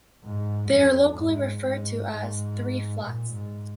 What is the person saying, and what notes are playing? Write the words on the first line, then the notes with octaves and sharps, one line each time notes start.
They are locally referred to as "Three Flats".
G#2
F2
G#2
G#2
G#2
A#2
G#2